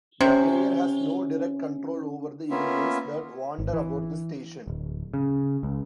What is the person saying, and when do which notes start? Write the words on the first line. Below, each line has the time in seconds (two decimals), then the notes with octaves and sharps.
The player has no direct control over the aliens that wander about the station.
0.21 C3 C#4
2.51 A#3 B3 C#4 F4 E5
3.59 G#1
3.73 E3
4.67 D1
5.14 C#3
5.63 C#2